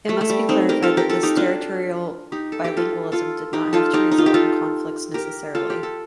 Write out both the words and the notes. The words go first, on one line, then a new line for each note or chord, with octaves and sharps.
It must be clarified that this territorial bilingualism did not have to result in conflicts necessarily.
A3
A3
G3
C4 D#4
G4 A#4
F4 A4
G4 A#4
F4 A4
D#4 G4
D4 F4
D#4 G4
A4
G4
F4 A4
F4 A4
D#4 G4
F4 A4
D#4 G4
D#4
F4
G4
F4 A4
G4 A#4
F4 A4
G4
A4